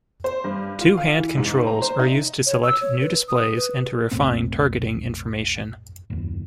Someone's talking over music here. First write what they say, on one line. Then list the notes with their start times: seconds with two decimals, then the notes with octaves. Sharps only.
Two hand controls are used to select new displays and to refine targeting information.
0.24 C5
0.44 G2
0.81 F4
0.97 F5
1.18 E3
1.37 G#2
1.67 A#5
1.82 C5
1.99 D#4
2.46 C#5
2.63 E6
2.81 C#5
3.01 B4
3.28 D#6
3.56 B4
4.11 F1 B1 A2 C4
6.10 F#1 D#2